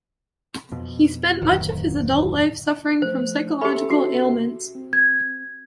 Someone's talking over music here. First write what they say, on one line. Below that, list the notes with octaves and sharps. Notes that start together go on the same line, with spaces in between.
He spent much of his adult life suffering from psychological ailments.
F2 B2
D1 F2 D#3
F3 A3 C5
C#4 G4 A4 E5 B5
F#4
C4
G#6